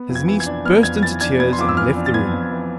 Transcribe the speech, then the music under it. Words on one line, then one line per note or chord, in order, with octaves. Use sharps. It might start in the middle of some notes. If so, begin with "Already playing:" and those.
His niece burst into tears and left the room.
Already playing: B3
F2
G#6
E3
G#6
D4
B3 F6
F2 G#6
E3 A6
D4 G#6
B3 G#6
C6
F2 D6
E6
E3 F6
D4
A6
B3 G#6
F2
E3